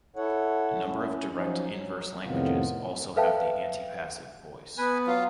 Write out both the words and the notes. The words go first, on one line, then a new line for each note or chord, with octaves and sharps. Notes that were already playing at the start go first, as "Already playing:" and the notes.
A number of direct-inverse languages also have the antipassive voice.
E4 A4 C#5 F#5
C#4 E4
F3 F#3 C#4 D#4
F#3
F2 A2 C3 D#3 B3 F4
A4 B4 E5 F5 G5 A5
B3 B4 G#5
F#3 F4 F5